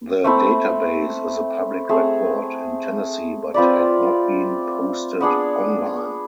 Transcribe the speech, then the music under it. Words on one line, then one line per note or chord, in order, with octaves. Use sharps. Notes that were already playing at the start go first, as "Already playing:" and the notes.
The database is a public record in Tennessee but had not been posted online.
A3 C4 E4
A3 C4 G#4
C4 F4 B4 D5
B3 D4 G#4